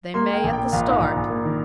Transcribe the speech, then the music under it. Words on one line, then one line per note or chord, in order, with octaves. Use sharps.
"They may at the start."
A#3 C6
A#3 G5
A#1
G5
A#3
A#1 F5
G#2 F5
A#1
A#1
A#3
D#3